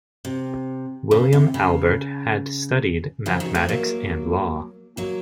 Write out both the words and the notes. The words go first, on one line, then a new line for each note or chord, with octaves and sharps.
William Albert had studied mathematics and law.
C3
C#3
C3
C#3
C#3 F3
D#3 F#3
F3 A3
F#3 A#3
F#3 A#3